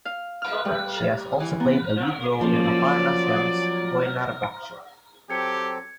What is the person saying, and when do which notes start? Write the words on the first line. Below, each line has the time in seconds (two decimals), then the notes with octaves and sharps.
She has also played a lead role in Aparna Sen's "Goynar Baksho".
0.05 F5
0.42 F6
0.65 G3
1.40 E3
1.60 B3
2.41 F3 F#3 A#3 C#4 D5
5.30 F#3 C4 G4 A4 G#6 C#7